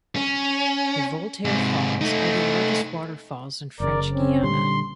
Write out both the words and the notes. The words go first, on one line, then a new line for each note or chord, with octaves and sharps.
The Voltaire Falls are the largest waterfalls in French Guiana.
C#4
G#2 C3
A3 D#4
F#1 C#3 A#4 D5
C4 C#4
A#2 D3 G3 C6